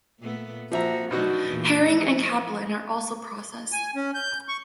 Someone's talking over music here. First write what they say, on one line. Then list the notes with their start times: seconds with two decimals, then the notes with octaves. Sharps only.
Herring and capelin are also processed.
0.20 A#2 A3 B3
0.72 F3 A#3 C4 F#4 E5 A#5
1.11 B2 F#3 A3 D4 D#4 F#4
1.47 E2 A#2 E3
1.83 F3 A3 E4
3.72 G#5
3.96 C#4
4.15 G6
4.49 C#6